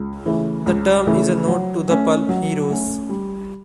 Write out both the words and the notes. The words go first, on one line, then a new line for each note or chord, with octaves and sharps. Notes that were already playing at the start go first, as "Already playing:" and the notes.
The term is a nod to the pulp heroes.
Already playing: C#2
C#3 E3 A3
C#2
C#3 E3 A3
F#3
A3 C#4
F#3
A3 C#4
G3